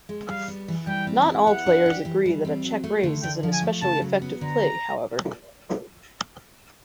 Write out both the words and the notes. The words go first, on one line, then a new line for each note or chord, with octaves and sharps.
Not all players agree that a check-raise is an especially effective play, however.
G#3
G3 F5
B3
E3
G3 G5
C4
E4
B3 F#5
D4
G4
E3
G3
C4
F#3
A3
D3
D3 G5
F3
G#5
A3
C#3 A5
F#3
B3
D3 A#5